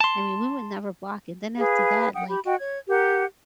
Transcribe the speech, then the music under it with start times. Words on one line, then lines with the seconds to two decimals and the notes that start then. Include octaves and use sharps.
I mean, we would never block it. Then after that, like,
0.01 A5 C6
1.58 G#4 B4 F5
2.14 F#5 G5 D#6
2.30 G4 B5
2.46 F#4 D#5 F#5 G5
2.58 C#5 G#6
2.89 G4 A#4 F#5